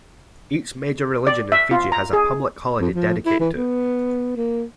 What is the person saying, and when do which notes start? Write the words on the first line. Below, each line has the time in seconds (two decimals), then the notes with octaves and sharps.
Each major religion in Fiji has a public holiday dedicated to it.
1.27 D5
1.52 E5
1.71 F4
1.92 A#5
2.13 G#4
2.81 F2
2.94 F3
3.26 E4
3.39 E3
3.55 B3
4.36 A#3